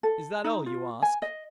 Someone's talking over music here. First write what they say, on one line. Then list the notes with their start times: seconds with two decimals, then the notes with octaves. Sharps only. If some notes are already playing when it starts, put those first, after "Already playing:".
"Is that all you ask?"
0.03 A4
0.44 D#4
0.66 F4
1.02 G#5
1.22 D#5